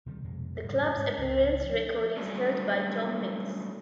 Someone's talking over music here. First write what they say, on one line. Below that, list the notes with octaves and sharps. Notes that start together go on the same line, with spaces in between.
The club's appearance record is held by Tom Mills.
C3 D#3 G3
F2 B2 G#3
G#2 C#3 G3
G#2 G#3
C#2
F3
F#3 G3 A3 A#3 C#4 D4